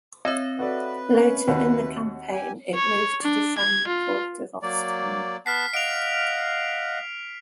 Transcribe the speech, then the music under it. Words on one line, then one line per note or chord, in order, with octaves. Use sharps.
Later in the campaign it moved to defend the port of Ostend.
C4 C#5 D#5 E5 E6
F#4 A4 B4 D5
C#4
D#2 F#4 F#5
G4 G#5
C#5
D4
G#6
F4
F#3 A#3 D5
B3 F#5 A5 F6 B6 C7
D#5 F5 F#5 D7 F7